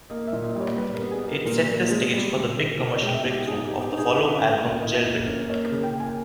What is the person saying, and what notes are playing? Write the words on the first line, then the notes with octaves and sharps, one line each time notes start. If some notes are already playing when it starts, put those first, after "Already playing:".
It set the stage for the big commercial breakthrough of the follow-up album, "Jailbreak".
A#3 D#5
E5
A#2
D#5
G3
C#5
G3 B4
A#4
B3
G#4
G3 A#4
A#2 A#4
A#2
G#3
G3
C#3
C#3
B2 A#4
C#5
G#3 G5
E5
B2
G4
D#4 G#4
G4
B3
G4
D#4
G#4
E4 B4
C#4
A#3
E4 D#5
A#3
C#4
A#3 C#5
A#4
C#3
G5
A#3
G#5